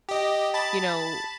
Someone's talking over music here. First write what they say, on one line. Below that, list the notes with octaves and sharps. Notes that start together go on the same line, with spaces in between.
you know,
G4 D#5
A5 B5 A6